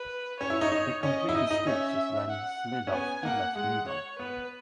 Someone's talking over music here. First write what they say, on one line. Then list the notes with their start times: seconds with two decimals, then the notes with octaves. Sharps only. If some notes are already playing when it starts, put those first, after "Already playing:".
The completed stitch is then slid off the left needle.
Already playing: B4
0.40 C#4 C#5
0.50 E4
0.61 D#4
0.72 D#4
1.03 C#4 D#5
1.29 E4
1.35 D#4 D#5
1.51 D#4
1.67 C#4 E5
2.30 F#5
2.87 C#4
2.93 B3 G#5
3.25 A#3 F#5
3.55 G#3 F#5
3.88 C#5
4.19 B3 B4